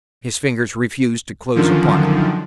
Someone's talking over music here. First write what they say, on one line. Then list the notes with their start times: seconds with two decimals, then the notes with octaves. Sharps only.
His fingers refused to close upon it.
1.55 F#2 D3 D#3 F3